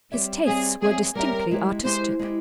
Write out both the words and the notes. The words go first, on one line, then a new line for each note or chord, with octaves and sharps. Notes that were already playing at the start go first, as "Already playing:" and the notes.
His tastes were distinctly artistic.
G3 C4 G4 C#5 E5
G3 C4 G4 G#4 C#5 E5
G3 C4 G4 G#4 C#5 E5
G3 C4 G4 A#4 C#5 E5
G#3 E4 G4
G#3 E4 G4 C5
G#3 E4 G4